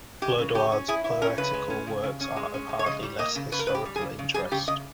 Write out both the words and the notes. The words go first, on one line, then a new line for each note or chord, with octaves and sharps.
Flodoard's poetical works are of hardly less historical interest.
G#3 G4
C#3
C#4 G4
C#4
E4 G#4
E4
C#4 A#4
C#3 B4
G#3
C#4
C#3
C#3
C#4
G#3
C#4
G#3
C#5
C#3 D#5
G3
A#3 D#5
C#3
C#3 B4
A#4
C#3 B4
G4
G3
G#4
C#3
C#3
G3 G#4
C#3 G4
C#3 D#5